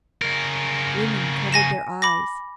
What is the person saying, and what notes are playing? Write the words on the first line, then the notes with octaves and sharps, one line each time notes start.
Women covered their eyes.
C#3 A#4
G#5 A#6 E7
B5 D6 A#6